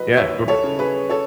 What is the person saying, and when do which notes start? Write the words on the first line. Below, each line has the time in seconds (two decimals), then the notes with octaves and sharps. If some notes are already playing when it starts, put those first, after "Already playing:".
Yeah, totally.
Already playing: F#3 B4 D#5
0.17 D#2 C#5 E5
0.48 A4 C#5
0.64 C#3
0.79 G#4 B4
1.09 A4 C#5